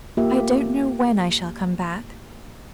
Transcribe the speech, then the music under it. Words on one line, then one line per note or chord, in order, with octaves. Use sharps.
"I don't know when I shall come back."
A#3 F4 G4 E5